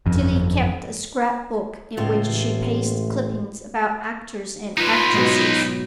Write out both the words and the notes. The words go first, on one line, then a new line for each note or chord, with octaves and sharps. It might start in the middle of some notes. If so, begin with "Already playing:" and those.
Tillie kept a scrapbook in which she pasted clippings about actors and actresses.
G1 F2
C#2 A2 G#3 F4
A1
D#4 F4 B4
G#2 B2 F#3